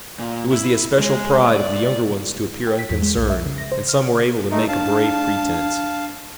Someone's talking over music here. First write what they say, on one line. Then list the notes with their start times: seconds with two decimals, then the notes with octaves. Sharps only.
It was the especial pride of the younger ones to appear unconcerned, and some were able to make a brave pretense.
0.19 A#2
0.52 E4
0.99 G#3
1.47 D5
2.67 G5
2.79 B6
2.90 E2
3.02 G#3
3.16 B1
3.30 E5
3.45 C#3
3.58 A#6
3.72 C5
3.89 F6
4.51 A3 D#4 A4
4.68 D4 F5 A5